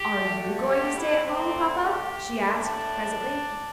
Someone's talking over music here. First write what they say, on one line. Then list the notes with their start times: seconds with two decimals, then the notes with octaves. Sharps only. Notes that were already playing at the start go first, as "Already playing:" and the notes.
"Are you going to stay at home, papa?" she asked presently.
Already playing: G4
0.11 D3 A3
0.69 G4
0.97 E4
1.25 D3 A3 C4
1.82 G4
2.38 A2 A3 D4